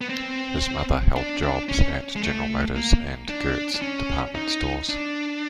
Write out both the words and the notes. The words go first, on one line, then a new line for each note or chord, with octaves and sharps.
His mother held jobs at General Motors and Gertz department stores.
B3
C4
D4
D4
C#4
G#3
A3
A#3
D4
D4
C#4
D#4
D4